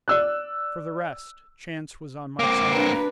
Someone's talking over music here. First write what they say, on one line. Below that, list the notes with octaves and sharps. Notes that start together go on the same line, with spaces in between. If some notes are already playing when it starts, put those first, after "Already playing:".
For the rest, chance was on my side.
D5 E6 F#6
A#3 C4 D6
D4 B4 A#5